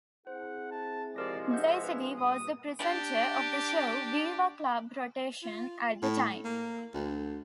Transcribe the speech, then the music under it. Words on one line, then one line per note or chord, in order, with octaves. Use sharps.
Daisy Dee was the presenter of the show "Viva Club Rotation" at the time.
C4 E4 G#4 C5 F#5
A5
C3 F3 G#3 G4 A#4 D5 A#6
D#5 E5 F#5 G6
D4 B4
G2 A#2 D#6
D4 G4
F4
A2
A#3
D2